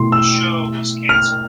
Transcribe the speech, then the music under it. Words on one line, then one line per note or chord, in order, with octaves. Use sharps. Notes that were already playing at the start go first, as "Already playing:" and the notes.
The show was canceled.
Already playing: B2 A3 E4 C6
E6
F6